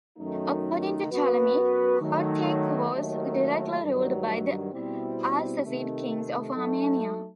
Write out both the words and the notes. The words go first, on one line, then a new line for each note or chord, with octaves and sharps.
According to Ptolemy, Kotayk was directly ruled by the Arsacid kings of Armenia.
F#2 D#3 A3 D#4
F#2 F#3 B3 F#4 B4
D#3 F#3 A3
D#2 D#3 F#3 A3
G2 D#3 F#3
B2 G3 C4 E4
C3 D#3 A3
F#3 A3 D#4 A4